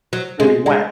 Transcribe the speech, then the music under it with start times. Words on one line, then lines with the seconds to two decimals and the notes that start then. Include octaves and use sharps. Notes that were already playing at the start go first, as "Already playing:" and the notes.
really went,
0.13 F#3
0.40 G#3
0.66 G#3